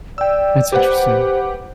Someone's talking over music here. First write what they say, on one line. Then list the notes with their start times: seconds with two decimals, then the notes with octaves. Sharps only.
That's interesting.
0.18 D5 G5 E6
0.72 G4 B4 C5 F#5